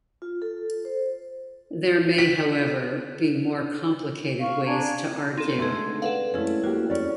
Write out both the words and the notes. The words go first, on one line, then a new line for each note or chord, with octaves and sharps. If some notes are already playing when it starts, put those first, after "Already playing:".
There may however be more complicated ways to argue.
F4
A4
C5
B6
F5 C#6
D4 G#5 A#5
C4 D#4 A4
D3 G#3 A3 C4 G#4
A4 B4 D5 F5 F#5
A3 C#4 E4 G#4
A#3 F#4 G4
C#4 D5